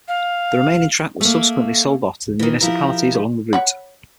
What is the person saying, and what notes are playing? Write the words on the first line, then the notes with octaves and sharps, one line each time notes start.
The remaining track was subsequently sold off to the municipalities along the route.
F5
A3 A#3
D#3 E3
F3 E4 G4 A#4
C#5 F#5 B5